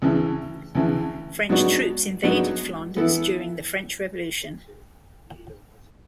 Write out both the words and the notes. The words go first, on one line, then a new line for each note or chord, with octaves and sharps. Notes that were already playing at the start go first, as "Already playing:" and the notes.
French troops invaded Flanders during the French Revolution.
D2 C#3 E3
D2 C#3 E3
G#2 F#3 B3 D4 F#4
G#2 F#3 B3 D4 F#4
E3 B3 E4 A4